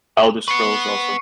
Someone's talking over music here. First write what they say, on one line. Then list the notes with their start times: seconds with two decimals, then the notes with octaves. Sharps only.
Elder Scrolls, also.
0.48 B4 F#5 C#6 C7 C#7